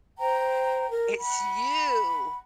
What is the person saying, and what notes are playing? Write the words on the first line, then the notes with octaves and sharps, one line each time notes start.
it's you
C5 G5 A#5
A#4
F#5 B5